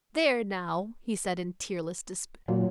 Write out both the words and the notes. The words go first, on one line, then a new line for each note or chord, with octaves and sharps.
"There now!" he said in tearless despair.
A#2 F#3